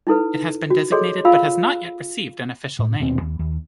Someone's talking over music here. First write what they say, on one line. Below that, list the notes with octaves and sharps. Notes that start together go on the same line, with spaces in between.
It has been designated but has not yet received an official name.
D#4 E4 A4 B4
F#4
G#4 A4 C#5 D#5 C6
F4 F5 B5 E6
A2
D#1 D#2 B2 C4
D#2
D#2